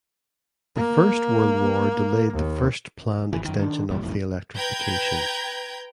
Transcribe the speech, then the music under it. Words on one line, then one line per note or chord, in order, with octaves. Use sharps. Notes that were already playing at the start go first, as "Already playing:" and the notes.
The First World War delayed the first planned extension of the electrification.
A#3
D#2
G#1 E3
F#2 D#3
D#3 D4
G#1 E2 A#2 G3
F#1 B1 F2 A2
B4 G5 A#5 G6 G#6